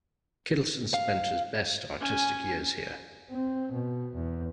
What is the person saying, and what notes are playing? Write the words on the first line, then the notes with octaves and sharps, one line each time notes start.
Kittelsen spent his best artistic years here.
F5
C#4 G#5
C4
B2
E2